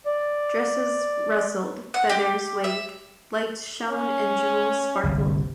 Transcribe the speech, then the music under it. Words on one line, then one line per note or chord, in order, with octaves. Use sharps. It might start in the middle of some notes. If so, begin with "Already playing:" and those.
Dresses rustled, feathers waved, lights shone, and jewels sparkled.
D5
F#5
G4
E5
C#4
G1 C2